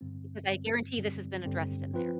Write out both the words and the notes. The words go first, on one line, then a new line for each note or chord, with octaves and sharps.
Because I guarantee this has been addressed in there.
G2 D3 G3 C4
G2 D3 G3 C4
G2 D3 G3 C4
G2 D3 G3 C4
F3 C4 F4 B4